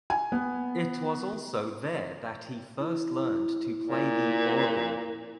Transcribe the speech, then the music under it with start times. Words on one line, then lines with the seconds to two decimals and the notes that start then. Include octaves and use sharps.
It was also there that he first learned to play the organ.
0.10 G#5
0.32 B3
2.79 E4
3.85 A#2